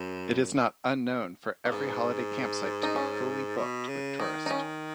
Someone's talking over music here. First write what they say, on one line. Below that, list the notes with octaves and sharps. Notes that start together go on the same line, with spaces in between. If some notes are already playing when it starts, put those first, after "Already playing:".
It is not unknown for every holiday campsite to be fully booked with tourists.
Already playing: F#2
A#3
G#2 B3
D#4
C#4
B2
C#3
D#3 D#4
D#4
C#4